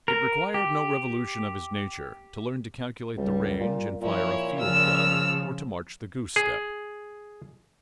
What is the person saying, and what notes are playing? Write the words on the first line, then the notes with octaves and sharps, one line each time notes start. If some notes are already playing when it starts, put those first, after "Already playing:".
It required no revolution of his nature to learn to calculate the range and fire a field gun or to march the goose-step.
A#4
G4
C#2 G3
A#2
A#2 F3 E4 C#5
C#3 F3 E6 F6
G#4